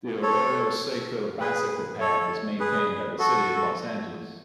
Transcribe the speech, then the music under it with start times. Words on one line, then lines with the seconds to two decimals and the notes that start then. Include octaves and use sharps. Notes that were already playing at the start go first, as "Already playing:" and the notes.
The Arroyo Seco Bicycle Path is maintained by City of Los Angeles.
0.22 A4 C#5
1.41 G#4 B4
2.00 A4 C#5
2.60 G#4 B4
3.19 F#4 A4